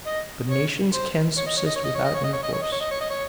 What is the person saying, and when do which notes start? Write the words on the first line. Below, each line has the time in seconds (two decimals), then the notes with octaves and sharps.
But nations can subsist without intercourse.
0.06 D#5
0.50 C#5
0.94 C5
1.37 C#5
1.46 D#5
1.57 C#5
1.66 D#5
1.75 C#5
1.84 D#5
1.95 C#5
2.04 D#5
2.14 C#5
2.23 D#5
2.33 C#5
2.42 D#5
2.53 C#5
2.62 D#5
2.72 C#5
2.81 D#5
2.91 C#5
3.01 D#5
3.10 C#5